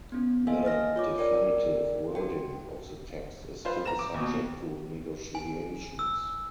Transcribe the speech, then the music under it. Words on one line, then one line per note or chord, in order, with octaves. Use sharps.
The definitive wording of the text is still subject to negotiations.
B3 C#4
A#3 A4 D#5 F5 G#5
D#5 F6 A#6
F4 C#5 D6
A#4 D5 G5
F#4 G5
F4 B4 C5 F5
A#5 E7
D6
D#2 B2
G#5
E6